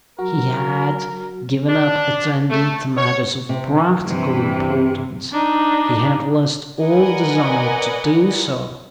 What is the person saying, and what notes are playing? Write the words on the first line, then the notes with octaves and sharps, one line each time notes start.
He had given up attending to matters of practical importance; he had lost all desire to do so.
F#3 F#4 A#4
D4
A3
C#5
C3
G2 C3 E3
D4 D#4
A#4 B4 D5 D#5 F#5 G#5